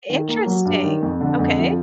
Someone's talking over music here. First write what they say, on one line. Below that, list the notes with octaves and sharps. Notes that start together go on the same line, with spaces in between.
Interesting, okay.
D#3
A#3
F#3
G2
D#3
F2
D3
F2
F3